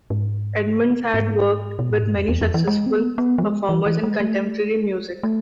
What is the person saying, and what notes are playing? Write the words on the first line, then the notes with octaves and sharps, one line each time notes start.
Edmonds has worked with many successful performers in contemporary music.
G#2
G#2
B2
A2
G#2
F2
E2
F2
E3
G#3
C4
B3
B3
F3
G#3
E3
E3
G#3
A3
A3